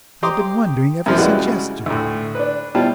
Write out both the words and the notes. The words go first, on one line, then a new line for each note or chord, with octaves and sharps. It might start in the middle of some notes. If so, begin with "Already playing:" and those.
I've been wondering ever since yesterday.
G4 G5 A#5 C6 D6 D#6
F#2 C3 F3 E4
C#3 G3 G#3 E4 F#4 B4
D2 A2
D4 B4
B2 G3 E4 F4 G4 A5